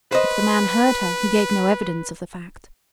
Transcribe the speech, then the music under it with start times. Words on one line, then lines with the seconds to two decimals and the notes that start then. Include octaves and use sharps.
If the man heard her he gave no evidence of the fact.
0.12 B4 C5 D#5